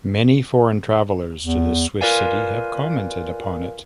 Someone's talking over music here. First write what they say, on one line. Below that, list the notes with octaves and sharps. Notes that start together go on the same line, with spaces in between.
Many foreign travellers to this Swiss city have commented upon it.
E2
F4 A#4 B4 D5 F5 G#5